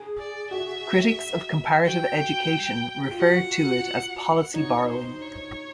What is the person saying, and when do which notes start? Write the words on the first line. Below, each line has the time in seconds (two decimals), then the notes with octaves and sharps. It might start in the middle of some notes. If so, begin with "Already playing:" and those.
Critics of comparative education refer to it as Policy Borrowing.
Already playing: G#4
0.18 D5
0.51 F#4 E5
1.86 F#4 G5
3.11 F4
3.20 F#4 F#5
4.53 D#4 C#5
4.88 C5
5.21 C#5